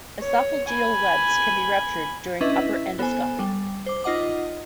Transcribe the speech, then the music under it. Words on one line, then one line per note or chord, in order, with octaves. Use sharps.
Esophageal webs can be ruptured during upper endoscopy.
C#5
G#5 B5
C#4 D4 E4 B4 D#5 E5
E4 E5
B3 A4 C5 G#5
G3
C5 D6
D#4 F4 D#5 F#5 D6